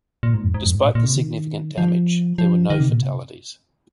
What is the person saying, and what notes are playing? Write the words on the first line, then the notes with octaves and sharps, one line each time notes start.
Despite the significant damage, there were no fatalities.
A#2
G#2
F2
G#2
F2
G#2
A#2
A#2
C3
D#3
F3
F3
D#3
C3
A#2
C3